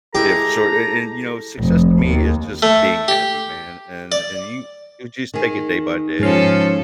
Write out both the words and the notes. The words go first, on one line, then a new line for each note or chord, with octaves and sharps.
Yeah, for sure, and and, you know, success to me is just being happy, man, and and you you just take it day by day,
G#3 E4 G4 A4 B4 A#5
F1
D#2
A3
G4
D5
D#3 G#4
G#2 F3 C#4 A4 F5